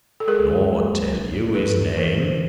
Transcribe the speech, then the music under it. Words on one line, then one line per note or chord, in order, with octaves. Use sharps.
"Nor tell you his name?"
A4
G#3 G#4 A#4
G#3
A#3
F#3
F3
A#3
G2 A4 B4
G3
E3 A#4 C5